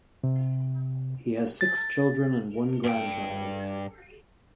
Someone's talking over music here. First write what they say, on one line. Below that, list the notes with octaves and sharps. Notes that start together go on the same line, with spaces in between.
He has six children and one grandchild.
C3
A6
G2 G5